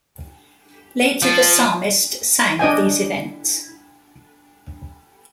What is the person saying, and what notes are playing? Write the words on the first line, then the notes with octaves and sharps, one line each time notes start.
Later, the psalmist sang of these events.
F3
D4 D#5 G5 G#5